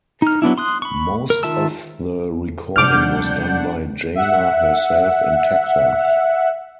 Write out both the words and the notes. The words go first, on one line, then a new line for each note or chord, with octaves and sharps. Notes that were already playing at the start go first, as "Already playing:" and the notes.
Most of the recording was done by Jana herself in Texas.
D#4 F6
F#3 B3 D4 E4
C6 D#6 F#6
B5 C#6
A#4
D#3 F4 E5 A5 E6
F2 C3 G3 D4 F#5 D6 F6 G6
E5 F#5